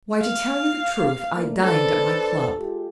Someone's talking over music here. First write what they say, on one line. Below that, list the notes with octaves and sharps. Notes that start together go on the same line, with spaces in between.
'Why, to tell you the truth, I dined at my club.
F5
A3 A#3 D4
D4 A4 B4 C5
G#3 F4 G4